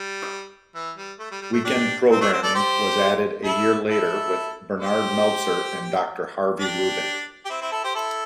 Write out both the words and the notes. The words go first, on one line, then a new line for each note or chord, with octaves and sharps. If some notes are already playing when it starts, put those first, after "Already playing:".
Weekend programming was added a year later with Bernard Meltzer and Doctor Harvey Ruben.
Already playing: G3
E3
G3
A3
G3
G3
A3
D4 G4
C4
A3 D4
C4
A4 D5
G4 C5
E4 A4
E4 A4
G4 C5
D4 G4
G4
C4 E4
C4 E4
E4 A4
G4 C5
E4 A4